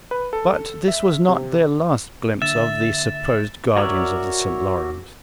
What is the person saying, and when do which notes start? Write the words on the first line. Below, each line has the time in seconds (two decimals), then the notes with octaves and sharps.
But this was not their last glimpse of the supposed guardians of the St. Lawrence.
0.11 B4
0.33 A4
0.88 E5
1.28 C3
2.42 D3 A#3 D4 E5 A6 E7
3.77 F#4 A#4 C#5 D5 E5